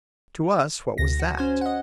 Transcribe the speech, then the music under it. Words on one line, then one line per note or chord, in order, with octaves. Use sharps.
To us what was that?
D2 A#6
F#4
C#4 C5 G#5
D#5 F#5